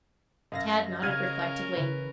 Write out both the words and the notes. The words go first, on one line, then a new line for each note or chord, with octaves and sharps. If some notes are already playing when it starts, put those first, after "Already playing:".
Tad nodded reflectively.
F#2 D#5 F5 A#6
C#3 C#4 A#4 F6 G#6 D#7
C#3 E3 B4